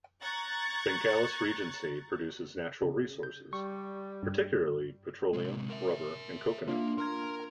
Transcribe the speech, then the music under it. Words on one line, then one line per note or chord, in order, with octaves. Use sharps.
Bengkalis Regency produces natural resources, particularly petroleum, rubber, and coconut.
A#5 C#6 F#6 G#6 A6
C#3
G6
G3 C#6
G2
C3 G#3
A#4 E5
A#3 D4 F4 C6
A#4 A#5 C6 F6 G#6